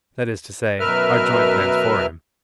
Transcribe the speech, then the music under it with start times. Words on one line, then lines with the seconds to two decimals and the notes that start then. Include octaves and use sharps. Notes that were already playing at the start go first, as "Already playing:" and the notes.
'That is to say, our joint plans for him.
0.80 F#2 B2 A#4 B4 E5 F6